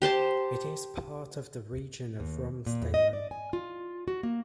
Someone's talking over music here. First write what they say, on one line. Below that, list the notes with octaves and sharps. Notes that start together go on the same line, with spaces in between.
It is part of the region of Romsdalen.
G4 C5 A5 C6
D#2
A#2
E2
D#5
D5
G#5
F4
F#4
A#3